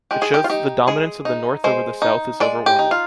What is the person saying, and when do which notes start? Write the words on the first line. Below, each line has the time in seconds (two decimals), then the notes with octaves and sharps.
It shows that the dominance of the North over the South is overwhelming.
0.11 G#3 G4
0.22 G#4
0.34 G4
0.44 F4
0.50 D#4 G4
0.87 G#3 G#4
1.25 D#4
1.64 G#3 C5
2.02 D#4
2.40 G#3 D5
2.66 G4
2.79 D#4
2.91 F4